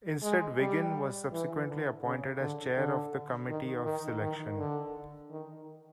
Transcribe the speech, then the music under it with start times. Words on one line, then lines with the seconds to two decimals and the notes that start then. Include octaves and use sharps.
Instead Wiggin was subsequently appointed as Chair of the Committee of Selection.
0.23 G#3
0.59 G3
1.32 E3
1.69 D3
2.04 C#3
2.41 D3
2.77 D3
3.49 D#3
3.85 D#3
4.22 D#3
4.58 D3
5.30 D#3